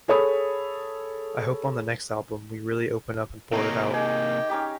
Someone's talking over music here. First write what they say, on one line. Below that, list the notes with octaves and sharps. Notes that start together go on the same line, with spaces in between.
I hope on the next album we really open up and pour it out.
G#4 A4 C#5 B5 D#6
C3 A#3 C#5 D#5 A#5
D#3 G#4 D#5 G5 D6
C#4 D#4 G4